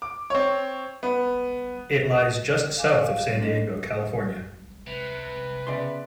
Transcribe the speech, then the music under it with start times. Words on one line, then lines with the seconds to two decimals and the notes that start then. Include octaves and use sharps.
It lies just south of San Diego, California.
0.02 D6
0.30 C4 C#5
1.03 B3
2.77 F5 G#5 D6
3.08 F5
3.26 G3 C4
3.40 A3 C4 D4 A4 D#5
4.87 C3 B4
5.67 C#3 B3 D5 E5 C6